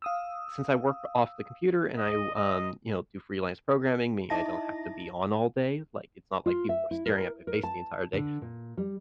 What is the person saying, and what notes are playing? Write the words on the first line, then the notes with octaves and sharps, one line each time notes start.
since I work off the computer and I w um, you know, do freelance programming, meaning I don't have to be on all day, like, it's not like people are staring at my face the entire day.
F5 D#6 E6
D#5
D#5
D#4 E4 D#5 E5 A5 A#6
F4
E5
E4
A#4
A#4
A5
D3
A#2
G3